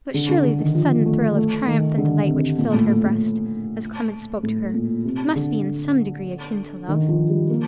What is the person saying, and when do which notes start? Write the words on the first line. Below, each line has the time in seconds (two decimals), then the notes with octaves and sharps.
But surely this sudden thrill of triumph and delight which filled her breast, as Clement spoke to her, must be in some degree akin to love.
0.14 D3
0.29 D3
0.44 D3
0.59 D#3
0.75 F3
1.06 A3
1.36 A3
1.67 D#3
1.98 D3
2.28 C3
2.58 A#2
2.74 A2
2.89 A2
3.05 A2
4.43 A2
4.74 A#2
5.04 C3
5.35 D3
6.88 D#3
7.08 F3
7.29 G3
7.50 A#3